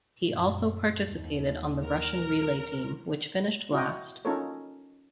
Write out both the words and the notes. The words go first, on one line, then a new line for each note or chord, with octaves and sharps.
He also participated on the Russian relay team, which finished last.
F#2 A#2
D#2
A#4
E4 F#4 D#5 G5
C#4 D#4 F4 A4 A#4 C#5